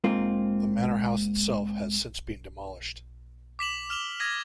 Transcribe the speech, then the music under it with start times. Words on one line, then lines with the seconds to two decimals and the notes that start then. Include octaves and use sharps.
The manor house itself has since been demolished.
0.04 G#2 A#3 C4 F4
3.59 D6 B6 E7 F#7
3.89 E6 F6 E7 F7 G7
4.20 D#6 G#6 A#6 B6 D#7